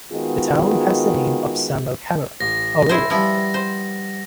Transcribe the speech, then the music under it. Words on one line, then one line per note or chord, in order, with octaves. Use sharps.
The town has the name of Samuel Cameron, a railroad worker.
D#3 G#3 B3 F4 F#4 G#4
A1 A#6
E4 G#4 C5
F3 G3 B3 E4
C5